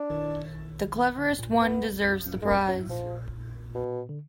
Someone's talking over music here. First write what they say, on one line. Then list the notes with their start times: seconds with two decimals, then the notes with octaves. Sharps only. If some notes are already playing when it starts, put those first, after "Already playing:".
The cleverest one deserves the prize.
Already playing: D4
0.10 D#3
1.18 D3
1.29 G#2
1.39 A#2
1.50 G#2
1.60 F#2 B3
1.71 F2
1.93 F2
2.04 F2
2.14 F#2
2.25 F#2
2.36 G#2
2.42 G#3
2.47 F#2 A#3
2.57 F2
2.68 F#2 F#3
2.79 G#2
2.89 A#2 F3
3.75 B2
4.09 D3